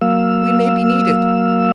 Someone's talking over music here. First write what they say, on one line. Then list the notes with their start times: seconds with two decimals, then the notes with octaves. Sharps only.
"We may be needed."
0.01 F#3 A#3 F5 E6